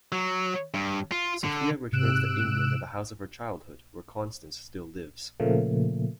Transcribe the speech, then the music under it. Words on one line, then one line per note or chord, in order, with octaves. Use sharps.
Sophia returns to England and the house of her childhood, where Constance still lives.
F#3
G2
F4
D3
G#2 C3 E6 F#6 D7 E7
A#2 C#3 F3 A3 A#3